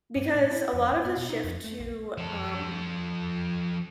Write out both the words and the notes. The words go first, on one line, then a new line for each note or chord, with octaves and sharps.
because a lot of the shift to, um,
G2
A2
E4
F2
G#2
B3
B2
D#4
F2
A3
B1
F3 A4